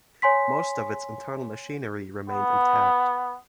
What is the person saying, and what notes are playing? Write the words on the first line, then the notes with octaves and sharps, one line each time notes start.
Most of its internal machinery remained intact.
C#5 G#5 C6 B6
B3